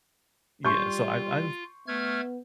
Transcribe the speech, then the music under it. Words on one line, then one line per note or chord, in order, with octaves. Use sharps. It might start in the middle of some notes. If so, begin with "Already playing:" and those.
Yeah, so, I've I've
G3 F4 C6 C#6 G6
A3 B3 F6 G#6